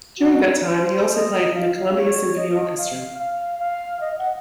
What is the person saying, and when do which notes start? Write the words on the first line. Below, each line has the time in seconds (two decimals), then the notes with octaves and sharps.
During that time he also played in the Columbia Symphony Orchestra.
0.18 F#4
0.73 C5
1.14 D#5
1.55 F5
1.95 C#5
2.36 D#5
2.77 F5
3.19 F5
3.59 F5
4.00 D#5
4.18 F#5